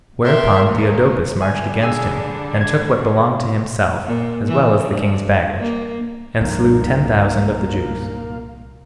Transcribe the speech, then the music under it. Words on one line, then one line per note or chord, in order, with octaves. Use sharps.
Whereupon Theodopus marched against him, and took what belonged to himself as well as the king's baggage, and slew ten thousand of the Jews.
A#2 G4 A#4 E5 C6
D#2 A#3
D3 G3 D4 G#5
G#4 G#5 E6
G#6
A#2
E3
G2
A#3
C2 G2 A#2 F3 A#3 D#4 F5